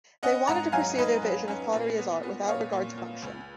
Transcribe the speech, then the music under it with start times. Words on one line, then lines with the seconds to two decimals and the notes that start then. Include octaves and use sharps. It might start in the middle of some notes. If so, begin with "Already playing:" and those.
They wanted to pursue their vision of pottery as art, without regard to function.
0.23 C#4 D#5 F#5
0.47 G#2 F#5 A#5
0.72 F#3 F5 G#5
0.97 G#2 B4 D#5
1.23 F#3
1.48 C#4
1.72 A#2
1.98 B3
2.23 B3
2.48 A#2 C#5 F5
2.73 A#2
2.97 A#2
3.22 C#2